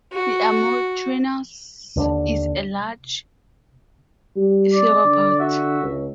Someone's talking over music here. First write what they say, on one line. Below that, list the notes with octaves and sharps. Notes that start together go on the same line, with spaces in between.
"Siamotyrannus" is a large theropod.
F#4
D#2 D3 C4 D4
G3
D5
D3
F#4 E5
C#2